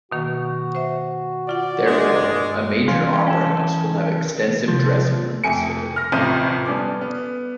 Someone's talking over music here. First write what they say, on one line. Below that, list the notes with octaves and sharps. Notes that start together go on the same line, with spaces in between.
Therefore, a major opera house will have extensive dressing room facilities.
B2 D#3 A#3 F#4
C5 E5
F4 D5 F#5
G#3 D4 E5
G2
E3 C#4 F4
C#4 A4
C3 F3
F2 C3 A3 G#5 C#7
F6 A#6
D#1 A1 C3 F3 C5 D#7
G3 B3 C#4 A4 D6
B3